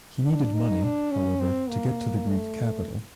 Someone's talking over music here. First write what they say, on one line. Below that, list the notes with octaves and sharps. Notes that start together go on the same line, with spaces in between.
He needed money, however, to get to the Greek capital.
D4
D#4
D4
C#4
C4
A#3
A3